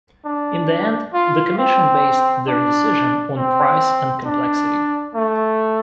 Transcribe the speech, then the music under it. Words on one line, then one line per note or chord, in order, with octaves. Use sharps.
In the end, the commission based their decision on price and complexity.
D4
F4
C4
D4
C4
D4
A3